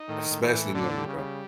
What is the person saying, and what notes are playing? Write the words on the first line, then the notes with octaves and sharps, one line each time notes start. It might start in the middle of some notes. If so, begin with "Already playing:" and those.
Especially women, bro.
Already playing: D#4
A2 D#3
A2
E3
A2
D3 D4
G3
C#3
G3